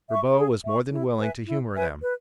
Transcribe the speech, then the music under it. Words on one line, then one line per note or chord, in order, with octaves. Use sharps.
Ribaut was more than willing to humor them.
E5 C#6
G#4
E5 C#6
E4
B4 E5 G#5
E4
B4 E5 G#5
B4